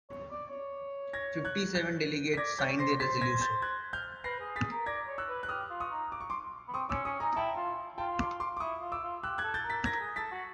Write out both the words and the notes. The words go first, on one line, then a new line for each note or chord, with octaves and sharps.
Fifty-seven delegates signed the resolution.
C#5
D5
C#5
G#6 A#6
F#6 G#6
G6 A6
B6
D5 G#6 A#6
C#5 G6 A6
C5 A#6 C7
C5 A6 B6
G#6 A#6
G6 A6
F#6 G#6
F6 G6
B4 A#6 C7
G#4
G#4 A6 B6
A#4
D5 G#6 A#6
C#5
E6 F#6
B4
F#6
G4 D#6 F6
F4
C#6 D#6
D#4
D6
C#6
C6 D6
B3
C4 C#6 D#6
C#4 D6 E6
C#4 C#6 D#6
D#4 G#5 A#5
E4 G5 A5
F4
F4 G5 A5
C6 D6
C6 D6
D6
E4 C#6 D#6
F4
D6 E6
F4
G4 E6 F#6
F#6 G#6
A4
G6 A6
A#4
A6 B6
A#4 G#6 A#6
G#4
A4 A6 B6
F#4